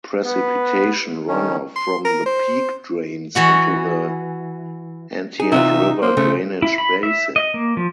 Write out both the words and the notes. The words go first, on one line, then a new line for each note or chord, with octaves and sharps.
Precipitation runoff from the peak drains into the Entiat River drainage basin.
B3 B4
D#3 C#4 A4
C6
A#4
C5
E3 F#4 F#5
D#4 G#4
C3 E3 F4 E5
A#3 C5
C#3 A3
E4
B5
E5
D#5
A#3
F3